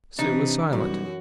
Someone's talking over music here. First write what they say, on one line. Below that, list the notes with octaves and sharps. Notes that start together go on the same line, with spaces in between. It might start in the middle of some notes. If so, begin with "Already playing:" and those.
Sue was silent.
C3 E3 D4 D#4
B1 F#2 G3 F#4